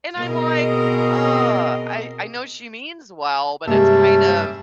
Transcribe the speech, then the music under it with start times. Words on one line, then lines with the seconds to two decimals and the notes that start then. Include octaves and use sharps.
and I'm like, "Uh," I I know she means well, but it's kind of
0.18 B2 C4 G#4 A#4 D#5
3.68 G2 C3 G#3 A#3 C#4 E5 A5